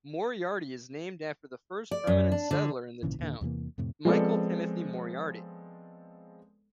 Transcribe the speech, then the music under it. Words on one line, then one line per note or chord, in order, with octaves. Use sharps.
Moriarty is named after the first permanent settler in the town, Michael Timothy Moriarty.
D5
F#2
D4
D3
G#1 A#2 C#3 E3
D#2 A#2 D3
E2 C3 E3 A#3
F2 A2 C3
F3 G#3 B3 C4 A4 D5